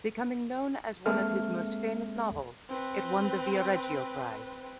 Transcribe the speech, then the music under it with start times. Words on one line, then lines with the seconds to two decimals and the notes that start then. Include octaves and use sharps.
Becoming known as one of his most famous novels, it won the Viareggio Prize.
1.06 G#3 A#3 C4 A4 E5 F6
2.69 C4 B4